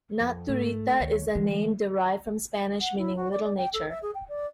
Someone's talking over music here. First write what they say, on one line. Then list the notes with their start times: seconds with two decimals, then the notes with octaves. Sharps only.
Naturita is a name derived from Spanish meaning "little nature".
0.20 F2
0.48 G#2 A3
1.00 D2 D#3 C#5
1.35 D3 E3 G#3
2.81 F#5
2.98 E4
3.16 F#4
3.31 D5
3.43 D5
3.57 G5
3.73 A4
3.89 E5
4.02 G#4
4.15 G5
4.28 D5